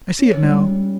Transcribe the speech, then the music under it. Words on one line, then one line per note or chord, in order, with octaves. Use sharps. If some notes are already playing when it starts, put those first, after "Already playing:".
I see it now.
C#4
G3
C#4